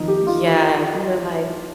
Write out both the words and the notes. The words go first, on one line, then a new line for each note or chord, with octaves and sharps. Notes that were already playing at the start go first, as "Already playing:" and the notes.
Yeah, we were like,
Already playing: F2 D#3 D#4
G4
F4